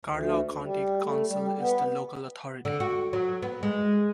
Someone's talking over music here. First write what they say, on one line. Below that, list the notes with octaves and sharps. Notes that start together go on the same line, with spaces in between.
Carlow County Council is the local authority.
D2
G3
A3
G3
B3
D3
F#4
F#3
B3
G#3